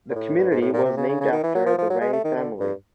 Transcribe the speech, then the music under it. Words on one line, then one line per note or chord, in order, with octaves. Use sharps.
The community was named after the Ray family.
A#2
A2
G2
G#2
A2
A#2
C3
C#3
C#3
C#3
D#3
E3
F#3
F3
F3
F#3
G#3
A3
D#3
D3
G2